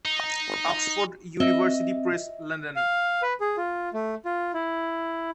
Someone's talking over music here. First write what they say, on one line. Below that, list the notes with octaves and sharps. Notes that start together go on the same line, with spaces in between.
Oxford University Press, London.
D#4
C4 D#5 E5
F5
B4
G#4
F4
A3
F4
E4